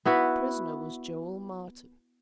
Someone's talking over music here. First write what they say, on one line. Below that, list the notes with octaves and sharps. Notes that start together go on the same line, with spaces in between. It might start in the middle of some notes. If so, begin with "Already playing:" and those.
The prisoner was Joel Martin.
B3 E4 F#4 B4